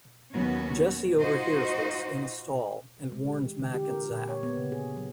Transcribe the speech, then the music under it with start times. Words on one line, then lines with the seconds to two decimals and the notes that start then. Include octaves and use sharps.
Jesse overhears this, in a stall, and warns Mac and Zack.
0.33 D#2 F#3 B3 C#4 F#4
1.20 D#4 F4 F#4 C5 D#5
3.12 G#3
3.28 G4
3.42 E3
3.60 D3
3.74 G4
3.88 A#4
4.10 A#2
4.29 C#5
4.43 B3
4.57 C#3
4.72 G#4
4.97 F#3